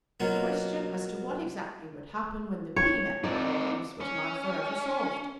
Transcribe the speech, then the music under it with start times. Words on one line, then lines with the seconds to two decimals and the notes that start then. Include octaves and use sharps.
The question as to what exactly would happen when the pea met the baldness was now for ever solved.
0.20 B2 F#3 A#3 C#4 F4 F#4
2.76 C#5
3.24 C4 D#4 D5
4.01 C#4